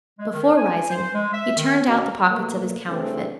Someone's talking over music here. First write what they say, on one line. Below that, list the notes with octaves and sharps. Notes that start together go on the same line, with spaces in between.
Before rising he turned out the pockets of his counterfeit.
G#3
D#3
G#5
C5
G#3
E5
D#3
B2
B2 F#3 A3 A#3
G2 C#3 E3 A3 C4